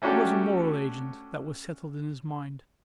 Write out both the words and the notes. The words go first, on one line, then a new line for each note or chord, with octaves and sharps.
He was a moral agent--that was settled in his mind.
A3 C#4 D4 F#4 G4 A4